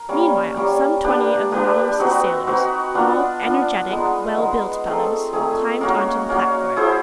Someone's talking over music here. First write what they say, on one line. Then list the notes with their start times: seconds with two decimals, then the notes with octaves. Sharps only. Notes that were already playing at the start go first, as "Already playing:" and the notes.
Meanwhile some twenty of the Nautilus's sailors--all energetic, well-built fellows--climbed onto the platform.
Already playing: A#4
0.09 G3 A#3 C#4
0.57 G3 A#3 C#4
1.04 A#3 D4 G4 B4
1.52 A#3 D4 G4 B4
2.00 C4 D#4 F#4 B4
2.47 C4 D#4 F#4 B4
2.94 B3 D4 F4
3.42 B3 D4 F4
3.90 G#3 B3 D#4
4.37 G#3 B3 D#4
4.85 A3 C4 D#4 G#4
5.33 A3 C4 D#4 G#4
5.81 A#3 C#4 F#4
6.29 A#3 C#4 F#4
6.76 E4 G#4 C5